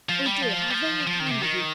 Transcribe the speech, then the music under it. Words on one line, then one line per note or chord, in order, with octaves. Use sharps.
Oh dear, how very kind of you!
F3
G3
F3
G3
F3
F3
D#3
C3
D#3